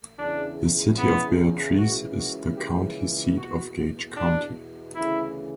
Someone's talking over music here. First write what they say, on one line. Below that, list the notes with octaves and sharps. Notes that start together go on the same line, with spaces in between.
The city of Beatrice is the county seat of Gage County.
E2 C#3 E3 D4
B3
C#2 C#3 E3 F#4
F#4
G4
E2 B2 F#4
D4
D2 C#3 E3 E4